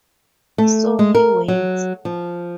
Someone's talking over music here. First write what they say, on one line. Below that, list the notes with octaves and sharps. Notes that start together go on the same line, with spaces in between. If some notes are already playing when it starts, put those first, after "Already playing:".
So he waits.
A3
G#3
A#4
F#3
F3